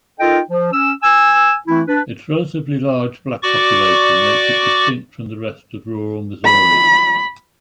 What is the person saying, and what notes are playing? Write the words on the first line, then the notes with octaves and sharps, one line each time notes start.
Its relatively large black population makes it distinct from the rest of rural Missouri.
D#4 F4 A4 A#4 D#5 G5
F3
C#4 E6
G#5 E6
E3 A3 C4 E4
D4 B4
F#4 D5 C#6 D6
B5